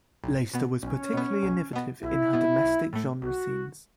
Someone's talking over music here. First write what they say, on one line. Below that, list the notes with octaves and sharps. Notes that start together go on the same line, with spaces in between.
Leyster was particularly innovative in her domestic genre scenes.
B1
B2 B3
B1 C#4
B2 B3
B1
B2 B3
B1 E4
B2 B3
B1
A2 A3
B1 F#4